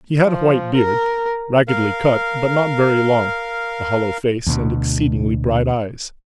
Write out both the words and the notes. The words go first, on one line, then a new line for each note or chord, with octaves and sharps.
He had a white beard, raggedly cut, but not very long, a hollow face, and exceedingly bright eyes.
F3
A#4
A#4 F5
D2 B2